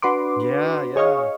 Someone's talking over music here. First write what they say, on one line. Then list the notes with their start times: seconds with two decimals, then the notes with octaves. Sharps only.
Yeah, yeah.
0.02 D4 F#4 B4 C6 D6
0.96 G#4 C#5 D#5 F5 C#6